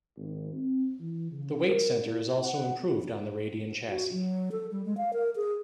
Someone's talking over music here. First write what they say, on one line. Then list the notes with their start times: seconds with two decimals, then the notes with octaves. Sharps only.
The weight center is also improved on the Radien chassis.
0.17 G#1
0.53 C4
1.00 E3
1.31 C#3
1.66 A#4
2.06 E4
2.43 F#5
3.90 F#4
4.12 F#3
4.52 A4
4.71 G3
4.85 G#3
4.97 F5
5.13 A#4
5.36 G#4